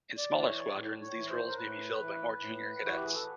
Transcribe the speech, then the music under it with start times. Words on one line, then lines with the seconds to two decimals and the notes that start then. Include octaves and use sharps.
In smaller squadrons, these roles may be filled by more junior cadets.
0.18 D5
0.32 E3
0.38 D5
0.46 C#5
0.74 A2
1.01 C#5
1.15 E3
1.29 C5
1.49 A#4
1.56 A2 B4
1.99 E3
2.41 A2
2.82 E3 F#4
2.95 G4
3.04 G#4
3.14 A4